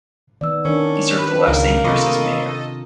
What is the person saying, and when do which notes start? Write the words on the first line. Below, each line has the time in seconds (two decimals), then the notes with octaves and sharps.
He served the last eight years as mayor.
0.41 D#3 B3 D5 E6
0.65 D#3 C#4 D4 A#4
1.18 B4
1.46 C#2 C#3 A#3 D#4 F4
1.84 C3 F4 A4 A#4 D#5 B5 C#6 D6